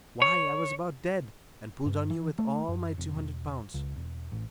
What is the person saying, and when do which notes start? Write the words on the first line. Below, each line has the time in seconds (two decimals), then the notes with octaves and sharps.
Why, I was about dead, and pulled on you with all my two hundred pounds.
0.22 C#5
1.86 G2
2.10 E3
2.39 A3
2.68 F#2
2.98 F1
3.15 E1
3.74 C#2
3.96 E1
4.32 A1